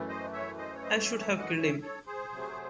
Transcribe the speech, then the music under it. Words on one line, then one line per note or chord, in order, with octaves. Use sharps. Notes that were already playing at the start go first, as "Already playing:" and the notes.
I should have killed him!
Already playing: F#2 E3 A3
C5 D#5
C#5 E5
C5 D#5
C#5
C5 D#5
C#5 E5
C#5 E5
D#5 F#5
C#5 E5
A4 C#5
G#4 C5
C3 F#3 A3